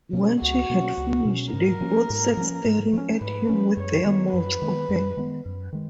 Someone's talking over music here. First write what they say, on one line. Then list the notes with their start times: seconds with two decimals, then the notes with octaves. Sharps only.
When she had finished, they both sat staring at him with their mouths open.
0.13 B2 A#3 C#4
0.41 C#2 F#4
0.70 B2 A#3 C#4
0.97 C#2
1.25 B2 A#3 C#4
1.53 G#2 A#4
1.81 F3 A#3 C#4
2.10 G#2
2.37 F3 A#3 C#4
2.65 G#2
2.93 F3 A#3 C#4
3.21 G#2 B4
3.49 F3 A#3 C#4
3.77 F#2 C#5
4.05 D#3 G#3 B3
4.33 F#2 B4
4.62 D#3 G#3 B3
4.89 F#2
5.17 D#3 G#3 B3
5.45 F#2
5.73 D#3 G#3